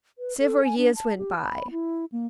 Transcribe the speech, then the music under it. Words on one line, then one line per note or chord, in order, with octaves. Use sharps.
Several years went by.
B4
A4
G#5
D4
A5
G4
B5
E4
A#3